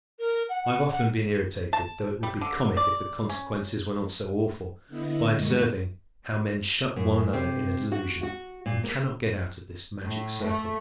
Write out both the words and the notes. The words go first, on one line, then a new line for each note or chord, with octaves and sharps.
I have often been irritated, though it would be comic if the consequences were not so awful, by observing how men shut one another in a delusion and cannot get out of this magic circle.
A#4
F#5
F#5
F#5
A5
G3
D3
D5
C#4
D3 B3 E4 D#5
G2 A#2 G#3 A#4 C#6 B6
F#2
C3
F#4
F#4
A#2
A#3
A2
A3